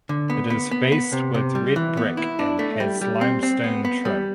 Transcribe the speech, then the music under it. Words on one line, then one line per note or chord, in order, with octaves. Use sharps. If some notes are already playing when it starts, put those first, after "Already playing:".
It is faced with red brick and has limestone trim.
D3
B3
B3
B3
B3
C3
C3
G3
E3
B3
E4
D4
A3
G3
G3
C4
C4
B3
B3
G3